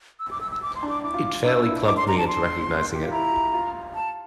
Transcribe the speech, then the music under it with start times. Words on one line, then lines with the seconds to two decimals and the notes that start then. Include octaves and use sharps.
It fairly clubbed me into recognizing it.
0.19 E6
0.31 D6
0.41 E6
0.51 E6
0.62 D6
0.75 C6
0.83 D4
0.89 D6
1.03 E4 D6
1.14 F4
1.45 D4 E6
1.66 E4
1.86 D4 D6
1.97 C6
2.08 A#5
2.18 A5
2.28 C6
2.95 G4
3.03 F4
3.11 E4 A#5
3.32 F4
3.54 F4
3.95 A5